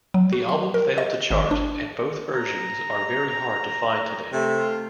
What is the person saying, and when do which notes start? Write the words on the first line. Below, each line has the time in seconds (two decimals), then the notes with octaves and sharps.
The album failed to chart, and both versions are very hard to find today.
0.14 F#3
0.33 F#4
0.49 C6
0.74 A#4
0.98 D#5
1.31 G#1
1.51 D4
2.33 A#5
4.33 C3 A3
4.58 F4